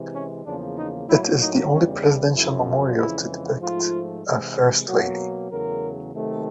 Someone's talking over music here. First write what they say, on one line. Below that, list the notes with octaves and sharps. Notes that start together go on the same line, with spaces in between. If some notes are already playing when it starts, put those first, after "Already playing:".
It is the only presidential memorial to depict a First Lady.
Already playing: C3 E3 G#3
C#4
E2 C#3 F3 A#3 D4
D#4
A2 F#3 A#3 E4
D#4
E2 C#3 E3 G3 C#4
D4
F#2 C#3 F3 E4
F2 C#3 E3 G#3 E4
G#2 F3 A3 F4
C3 E3 G#3
B2 F#3 A#3 F#4
E2 C#3 F#3 A3 A#4
C3 D#3 F#3 A3